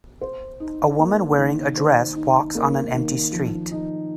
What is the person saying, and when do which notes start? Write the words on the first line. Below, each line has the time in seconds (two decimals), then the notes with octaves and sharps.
A woman wearing a dress walks on an empty street.
0.21 C5
0.60 D#4
0.99 A#3
1.38 D#3
1.77 C5
2.16 D#4
2.55 A#3
2.94 D#3
3.33 F3
3.72 D#4